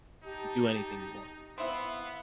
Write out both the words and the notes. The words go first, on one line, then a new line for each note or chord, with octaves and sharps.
and do anything you want.
D#4 G4 A5
B3 C4 E4 F5